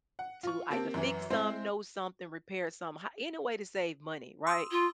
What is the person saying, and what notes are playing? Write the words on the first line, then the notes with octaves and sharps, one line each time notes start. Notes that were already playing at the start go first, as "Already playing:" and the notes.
to either fix some, know something, repair some hi any way to save money, right?
F#5
F4 C#6
A#3 C4 G4 A5 D7
F#2 E3
G#3 C4 E4 C5
C6 D#6 E6
F4